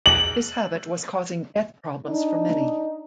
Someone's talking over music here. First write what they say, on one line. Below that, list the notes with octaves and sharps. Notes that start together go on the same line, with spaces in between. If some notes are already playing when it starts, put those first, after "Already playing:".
This habit was causing debt problems for many.
F#7
D4 D#4